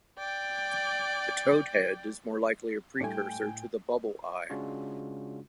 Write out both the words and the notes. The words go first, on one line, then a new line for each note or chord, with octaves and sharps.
The toadhead is more likely a precursor to the Bubble eye.
D5 G5
A2 G3 A3 D4 G5 G#5
C#3 G#3 C#4 D4 F4 F#4